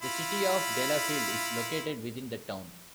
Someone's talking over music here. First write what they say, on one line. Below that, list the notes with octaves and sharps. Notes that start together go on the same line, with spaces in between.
The City of Delafield is located within the town.
E4 F4 B5